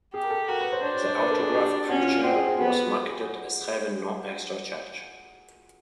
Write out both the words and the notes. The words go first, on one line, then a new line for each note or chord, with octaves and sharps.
The autographic feature was marketed as having no extra charge.
G4 G#4
A#4
A4
F#4 A#4
B4
C5
D4 C5
C#5
C5
B4
A#4
A4
G#4
G4
C#4 F#4
F4
F4
C4 F#4
G#4
G#4
B3 F#4
F#4